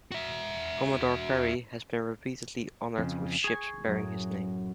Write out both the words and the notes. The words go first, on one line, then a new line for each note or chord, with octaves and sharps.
Commodore Perry has been repeatedly honored with ships bearing his name.
F#4 E5
F2 C#3
G#4 G#5 C#6
F#2 A2 F#3